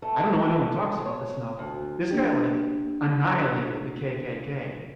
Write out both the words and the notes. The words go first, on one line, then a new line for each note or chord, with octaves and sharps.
I don't know why no one talks about this enough, this guy, like, annihilated the KKK,
A3
C#5
D2
A#3 D4 G4